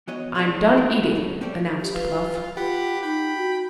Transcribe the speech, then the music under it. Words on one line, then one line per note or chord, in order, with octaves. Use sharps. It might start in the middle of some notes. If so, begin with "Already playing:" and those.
"I'm done eating," announced Bluff.
E3 B3 F#4 C#5 D#5
C4 F4 F#4 G#4 D5 A5
C4 G5
E4
A2 F#3 D#4
C4 C#4 G4 A4 C5 D5
G4
F4 B4
F4 G4 F#5 B5
D#4 G5 B5
F#4